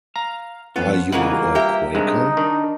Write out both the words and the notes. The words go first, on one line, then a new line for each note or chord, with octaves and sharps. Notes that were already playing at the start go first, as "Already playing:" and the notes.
Are you a Quaker?
F5 A#5
F3 B3 C#4 F4
G#2 C#3 E3 G3 A#3 F4 B4 F#5
G4 A#4 E5
G2 C3 G#3 D#4 F#6
D#3 D4